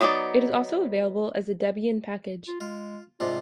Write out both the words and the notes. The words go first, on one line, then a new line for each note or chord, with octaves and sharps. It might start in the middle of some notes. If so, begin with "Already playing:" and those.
It is also available as a Debian package.
F#3 B3 D#4 F#4 D5
F4
G#3 F4
G#2 C3 D4 F4